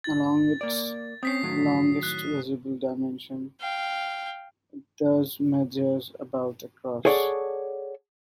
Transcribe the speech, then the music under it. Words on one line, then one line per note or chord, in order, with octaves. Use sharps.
Along its longest visible dimension, it thus measures about across.
A6
A#3 D5
C4 C#4 D#6 B6 C7
A2 D#3 F#3
F#6
F5 G5
G#4 A4 C#5 D5 F#5